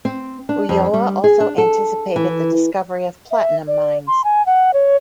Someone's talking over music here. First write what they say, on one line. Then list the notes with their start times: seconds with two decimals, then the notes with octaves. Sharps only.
Ulloa also anticipated the discovery of platinum mines.
0.05 C4
0.49 D4
0.69 F2
0.94 G3
1.24 G#4
1.40 D4
1.58 A4
2.16 E3
3.31 E5
3.67 D5
4.07 C6
4.24 G#5
4.46 F#5
4.73 C#5